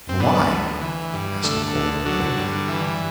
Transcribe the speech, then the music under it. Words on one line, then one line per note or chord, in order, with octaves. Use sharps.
"And why?" asked Nicholl quickly.
C4
D3 B3
D2
E3
G2
D3 A3
D2
D3 F#3
G2
E3